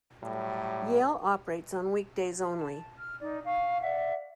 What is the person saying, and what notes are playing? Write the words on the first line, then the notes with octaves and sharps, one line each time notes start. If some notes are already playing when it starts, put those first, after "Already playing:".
Yale operates on weekdays only.
A2 F#3 G3
A5
F6
D#4 D5
F5 C#6
D5 E5 F#5